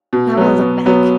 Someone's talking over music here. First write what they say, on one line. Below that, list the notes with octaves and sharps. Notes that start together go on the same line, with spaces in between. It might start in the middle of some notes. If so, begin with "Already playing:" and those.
Now I'll look back.
B2
F#3 B3
B2
F#3 B3